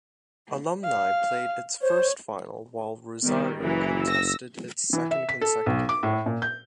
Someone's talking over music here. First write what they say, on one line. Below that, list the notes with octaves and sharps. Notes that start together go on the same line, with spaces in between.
Alumni played its first final while Rosario contested its second consecutive final.
F5
C5 C#5
D#3 G3 B3
F#1 E3 F#3
E6 A#6
E3
E5
B6
A4
B1
D6
A2
A#2
G6